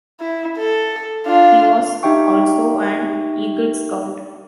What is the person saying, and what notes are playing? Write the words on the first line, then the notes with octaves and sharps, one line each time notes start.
He was also an Eagle Scout.
E4
A4
D4 F4
D4 D#4 G4 E5 G5 C#6